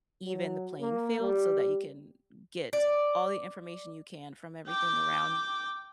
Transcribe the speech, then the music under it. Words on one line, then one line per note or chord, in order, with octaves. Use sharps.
even the playing field so that you can get all the information you can from everything around
F#3
A#3
G3
D5
G5 D6